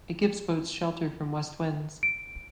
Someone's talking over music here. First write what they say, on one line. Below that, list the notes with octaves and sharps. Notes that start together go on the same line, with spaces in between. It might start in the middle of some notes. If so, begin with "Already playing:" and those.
It gives boats shelter from west winds.
D7